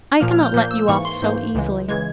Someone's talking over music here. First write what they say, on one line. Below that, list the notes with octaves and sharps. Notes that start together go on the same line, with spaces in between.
I cannot let you off so easily.
A#2 F3 A#3 F6
F6
G6
A#2 F3 A#3 G6
E6
G#2 E3 A#3 C#6
C6
G#2 E3 A#3 G6
C#2 C#3 E3 G#3
C#3 E3 G#3 G#6